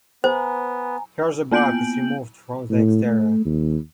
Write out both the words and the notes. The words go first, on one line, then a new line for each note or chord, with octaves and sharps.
First the bark is removed from the exterior.
B3 C5 G#5 A#5
A#3 B3 G6 D7 F#7
A2
A3
D#2